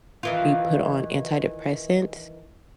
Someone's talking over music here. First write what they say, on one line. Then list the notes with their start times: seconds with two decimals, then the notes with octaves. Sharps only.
be put on antidepressants,
0.23 D#3 E3 F4